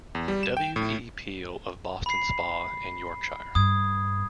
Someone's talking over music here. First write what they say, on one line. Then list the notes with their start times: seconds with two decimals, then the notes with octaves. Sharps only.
W. E. Peel of Boston Spa in Yorkshire.
0.15 E2
0.28 G3
0.43 E7
0.57 G5
0.76 A2
2.06 B5 C7
3.55 G2 D#6 G#6